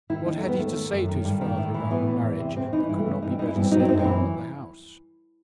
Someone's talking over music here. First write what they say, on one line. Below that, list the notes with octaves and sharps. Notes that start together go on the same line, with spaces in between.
What had he to say to his father about the marriage that could not be better said down at the house?
D#3 E4
D#2 D#4
A3
D#3
B3
D#2 A3
D#3
F#2
D#3
G2
D#3
A2
E3
A2 B3
E3
E2
C3
A2 C4
E3 D#4
G2 E4
A3
E3 B3
G2 D#4
C4
E3 D#4
E4
G2 B3
C4
F#3 D#4
C4
F#2 D#4
C4
E3